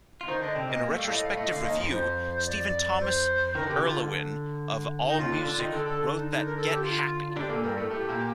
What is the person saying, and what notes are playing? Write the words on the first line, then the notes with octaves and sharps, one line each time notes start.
In a retrospective review, Stephen Thomas Erlewine of AllMusic wrote that Get Happy!!
F4
D#3 D#4 C5
D3 D4 D#5
C3 C4
A#2 A#3 D#5
A#3
A3
G3 F5
A2 A3 D#5
F5
A2 A3 D#5
D3 F5
D#2 D#3 D#5
F2 F3
F2 F3 C5
D5
C5
D#3 A#4
D3
C3 G4
D3 F4
D#4
D#2 D#3 F4
D3 D4
D3 D4
D#3 D#4
D3 D4 A4
A4
D#4
D#4
A#4
A4
G4
F4
F4
D3 D4 G4
A#2 A#3 A4
G2 G3 A#4
A2 A3 A4
A2 A3 G4
A#2 A#3